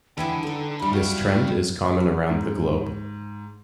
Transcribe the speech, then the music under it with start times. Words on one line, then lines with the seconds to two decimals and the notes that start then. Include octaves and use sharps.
This trend is common around the globe.
0.18 D3 E3 G#3 E4 G5
0.43 D#4 A4 G5
0.79 G3 E4 B5
0.93 F#4 F5 G5
2.30 G#2